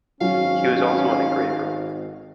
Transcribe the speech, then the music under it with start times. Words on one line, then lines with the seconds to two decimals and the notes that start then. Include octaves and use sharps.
He was also an engraver.
0.21 G#1 F#3 C#4 F5